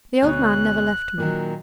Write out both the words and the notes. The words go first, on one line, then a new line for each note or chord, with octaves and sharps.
The old man never left me.
D2 B2 C#5 F#6
A#2 D#3 F#3